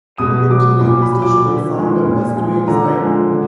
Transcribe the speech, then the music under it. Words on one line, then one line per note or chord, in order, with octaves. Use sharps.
Kilgetty railway station is on the West Wales Line.
B2 D#6
F#3 D6
A#2 D6
B5
F#3
D6
D3
F3 G#3
A#2
F3 G#3
D3 A#5
F3
G#3
D3